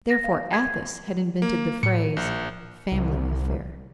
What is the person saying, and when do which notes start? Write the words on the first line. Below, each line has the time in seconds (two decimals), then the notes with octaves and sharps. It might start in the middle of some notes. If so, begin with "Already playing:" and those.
Therefore Athos had invented the phrase, family affair.
0.10 A#6
0.24 F5
0.53 G#6
1.42 A#3
1.83 A2 C#7
2.17 A#1 C#7
2.92 C2